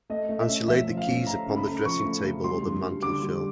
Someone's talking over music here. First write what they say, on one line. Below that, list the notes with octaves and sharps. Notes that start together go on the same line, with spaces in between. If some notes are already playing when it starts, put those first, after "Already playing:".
And she laid the keys upon the dressing-table or the mantel-shelf.
A3 D#5
A3
E5
C#4
F3 E5
F3
F5
C#4
A3 A#5
C#3
B5
A3
F3 C#6
A3
C#3
G3 C6
G2
G3
D3 D6
G3